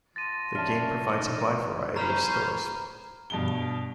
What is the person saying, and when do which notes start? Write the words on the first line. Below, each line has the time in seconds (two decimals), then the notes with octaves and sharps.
The game provides a wide variety of stores.
0.16 F3 A6 A#6 D#7
0.55 C#4 D4 C#5 D5 E5 A5 F6
1.08 A3 D4 D#4 D#5
1.96 C#4 C5 A#5 B5 F6
3.30 G2 B2 G7